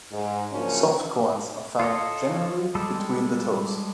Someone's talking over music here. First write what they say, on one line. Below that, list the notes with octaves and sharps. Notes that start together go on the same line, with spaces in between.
Soft corns are found generally between the toes.
G#2
C#3 F3 F#3 A#3 C#4 D4
F4 A4 C#5 D#5
G3 G#3 A4